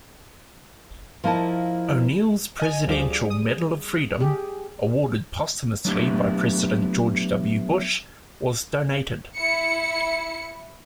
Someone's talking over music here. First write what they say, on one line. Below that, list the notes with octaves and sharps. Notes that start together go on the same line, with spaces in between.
O'Neil's Presidential Medal of Freedom-awarded posthumously by President George W. Bush-was donated.
F3 A#3 E4 D#5 A5
D#5 G#5
D2 F3 G3 G#4 D6
D#6
G4 G#4
F#3 A3 B3 D4 E4 G4
E4 C#7